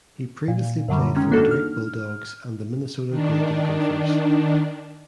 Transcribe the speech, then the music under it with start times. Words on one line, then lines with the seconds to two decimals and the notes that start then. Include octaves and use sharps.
He previously played for the Drake Bulldogs and the Minnesota Golden Gophers.
0.48 A#2
0.88 F#2 D3 F#3 G3
1.16 D#3 G#3 C#4
1.31 A#3 D4 D#4 F#4 A4
1.51 F6
3.09 D#3 D4